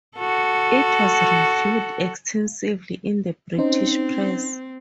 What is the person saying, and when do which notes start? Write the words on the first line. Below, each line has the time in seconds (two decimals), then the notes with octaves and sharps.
It was reviewed extensively in the British press.
0.18 F#4 A4
3.58 C4 C#4 D#4 C5